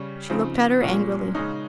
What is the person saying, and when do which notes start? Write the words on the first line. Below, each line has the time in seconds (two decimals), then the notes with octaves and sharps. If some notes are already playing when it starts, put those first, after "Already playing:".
She looked at her angrily.
Already playing: C#3 G3 C#4
0.30 C#3 F3 C4 D#4
0.82 A#2 F3 G#3 C#4
1.35 C#3 G#3 C#4 D#4